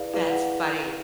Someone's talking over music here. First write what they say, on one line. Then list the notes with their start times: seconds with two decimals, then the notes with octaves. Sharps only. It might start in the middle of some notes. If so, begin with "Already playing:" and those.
That's funny.
Already playing: E4 G#4 B4 D5 F5
0.14 E4 G#4 B4 D5 F5
0.31 F#5